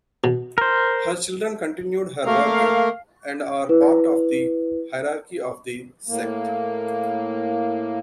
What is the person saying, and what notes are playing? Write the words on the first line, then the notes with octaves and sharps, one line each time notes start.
Her children continued her work and are part of the hierarchy of the sect.
B2
A#4 C5
A3 A#3 A#4 F5
E4 B4
A2 A#3